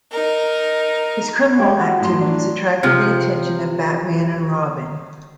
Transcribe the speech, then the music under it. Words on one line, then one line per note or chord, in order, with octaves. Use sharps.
His criminal activities attracted the attention of Batman and Robin.
D#4 A#4
G#3 G4
F#4
A2 F#3 C6
D4
C3 F3